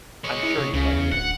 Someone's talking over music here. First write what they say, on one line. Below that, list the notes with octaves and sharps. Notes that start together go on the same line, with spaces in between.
I’m sure you like it.
G#3 C#5
E4
C#3
C#2 C#3
E2
D1 F#5